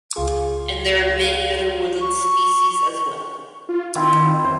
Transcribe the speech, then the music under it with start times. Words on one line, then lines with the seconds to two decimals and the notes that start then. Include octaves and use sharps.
And there are many other woodland species as well.
0.16 C#2 F4 G#4
1.22 F5
2.00 C#6
3.69 F4
3.95 D#3 C4 E4 F4
4.45 F#2 C5